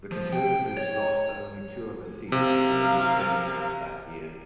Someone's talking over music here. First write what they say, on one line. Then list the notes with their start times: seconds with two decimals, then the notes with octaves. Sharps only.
The Conservatives lost only two other seats to the Liberal Democrats that year.
0.12 F3
0.33 G5
0.77 C#5
2.32 C3 A#4 F5